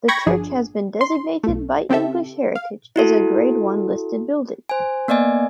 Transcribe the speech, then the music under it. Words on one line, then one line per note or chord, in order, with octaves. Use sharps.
The church has been designated by English Heritage as a Grade One listed building.
G5 B5 C#6 G#6 A#6
G1 F3 D4 G#4
C6
B1 A3
C#3 C4 G4 A4 E5
F5
E4 F#4 A4
C5 G#5
A#3 B3 D5 D#5 G#5